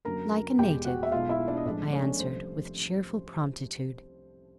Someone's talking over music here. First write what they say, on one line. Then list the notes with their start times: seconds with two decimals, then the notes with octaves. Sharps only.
'Like a native,' I answered, with cheerful promptitude.
0.05 F#2 D3 F#3 A#3 A#4 A#5
0.58 E2 B2 G#3 G4 G5
0.85 F#4 F#5
1.03 E5
1.12 B1 B2 G#3 F4 F5
1.29 E4 E5
1.48 D4 D5
1.57 D#5
1.65 A1 A2 F3 G#3 D4 D5
1.93 C#4 C#5
2.19 C2 C3 F3 A3 C5